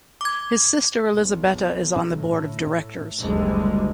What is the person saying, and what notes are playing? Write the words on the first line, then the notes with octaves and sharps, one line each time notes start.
His sister Elisabetta is on the board of directors.
D6 G#6
B1
A2
F#1 D2 D3 G3 G#3